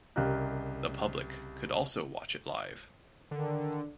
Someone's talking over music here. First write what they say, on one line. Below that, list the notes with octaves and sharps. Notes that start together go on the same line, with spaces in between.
The public could also watch it live.
C2 C#3 G4 A#4 D#5 F#6
D3 D#3